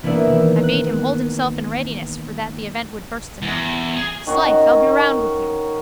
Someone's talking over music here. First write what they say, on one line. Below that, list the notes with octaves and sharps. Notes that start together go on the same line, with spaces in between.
I bade him hold himself in readiness for that the event would burst anon. 'Slife, I'll be round with you.
E3 A#3 B3 D4 D5 E5
D#3
F#6
E2
G#4
D#3 C#4 F#4